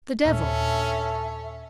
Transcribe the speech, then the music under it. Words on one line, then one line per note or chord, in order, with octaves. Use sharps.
"The devil!"
D#2 A#2 C#4 D4 A4 E5